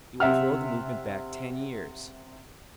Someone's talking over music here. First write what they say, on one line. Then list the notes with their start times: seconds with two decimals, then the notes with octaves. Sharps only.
It will throw the movement back ten years....
0.20 C3 E5 F#5 F6